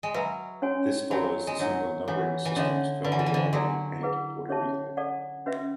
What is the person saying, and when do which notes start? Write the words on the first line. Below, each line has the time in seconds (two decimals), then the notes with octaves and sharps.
This follows the similar numbering systems for Hawaii and Puerto Rico.
0.03 G#3
0.14 F#3 B4 E5 B5
0.62 C#4 F#4 C#5 G#5
1.11 F#3 F#4 C#5 G#5 B5
1.47 G#3
1.60 F#3 D4 A4 C#5 F#5
2.08 E3 E4 A4 C#5 F#5
2.45 E3
2.56 D3 C#4 F#4 A4 C#5 E5
3.04 D3 F#4 B4 F#5 B5
3.12 E3
3.19 D3
3.26 E3
3.34 D3
3.53 F#3 F#4 A4 D5 G#5
4.02 E4 G#4 B4 F#5
4.49 C#4 G#4 C#5 E5 A5
4.97 A4 D5 F#5
5.46 C#4 F#4 B4 E5